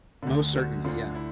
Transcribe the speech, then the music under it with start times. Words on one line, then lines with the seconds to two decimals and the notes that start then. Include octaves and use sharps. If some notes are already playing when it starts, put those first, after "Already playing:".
Most certainly, yeah.
0.23 D2 D3
0.53 F#4
0.85 D2 D3 F4
1.15 E4